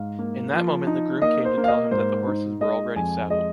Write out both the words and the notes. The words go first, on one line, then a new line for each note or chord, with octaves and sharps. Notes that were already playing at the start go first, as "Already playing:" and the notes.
In that moment the groom came to tell him that the horses were already saddled.
Already playing: G#2 F5
A#3
F3
D#4
A#3 D#5
C5
A#3
F5
D#5
G#2 C5
D#4
G#3 D#5
F2 G#5
G#3 D#5